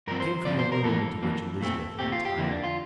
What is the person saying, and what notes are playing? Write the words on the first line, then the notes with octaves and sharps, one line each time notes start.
It came from the room into which Elizabeth had retired.
G2 F3 C4 A#4
C5
G2 F3 C4 D5
C5
A#4
F2 E3 A#3 A4
F2 E3 A#3
A#2 A3 C4
A#2 A3 C4 G4
F4
G4
F2 D3 F3 A#3 E4
D4
F4